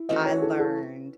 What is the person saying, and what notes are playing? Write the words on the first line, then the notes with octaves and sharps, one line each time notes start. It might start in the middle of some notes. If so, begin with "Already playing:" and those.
I learned,
Already playing: E4
E3 A3 C#4 F#4 D#5
C#5
A4
A4